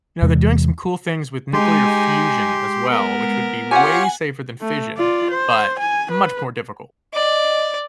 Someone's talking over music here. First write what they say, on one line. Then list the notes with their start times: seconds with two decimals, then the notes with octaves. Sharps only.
You know, they're doing some cool things with nuclear fusion as well, which would be way safer than fission, but much more difficult.
0.22 E2 C3 E3 G#3
1.53 G#3 D#4 G4 G#5 C6
2.87 B3 A#4
3.71 F4 G4 C#5 F#5 G#5
4.61 A3
4.98 F4 D5
5.31 C5
5.79 G#5
6.11 B4
7.14 D5 D#5